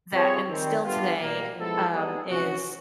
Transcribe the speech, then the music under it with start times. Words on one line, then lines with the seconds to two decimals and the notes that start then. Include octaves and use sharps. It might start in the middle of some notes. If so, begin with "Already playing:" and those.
that and still today, um, is
0.11 G3 C4 F4 G#4 C#5
0.47 D#3 G3 C4
0.83 G3 B3 D4 F4
1.19 B2 G3 A#3
1.55 F3 G#3 B3 E4 A4
1.91 G3 B3 D#4 G#4
2.27 C3 F3 G#3 C#4 F#4